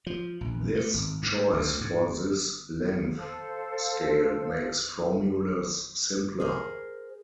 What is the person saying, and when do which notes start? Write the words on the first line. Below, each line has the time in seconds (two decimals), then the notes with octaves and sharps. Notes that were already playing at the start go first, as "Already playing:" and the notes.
This choice for this length scale makes formulas simpler.
0.07 F3
0.41 A#1
0.75 A3
0.94 G#1
1.23 G#2
1.54 D2
1.81 G#2
3.17 A4 C5 F5
6.40 G#4 A#4 C5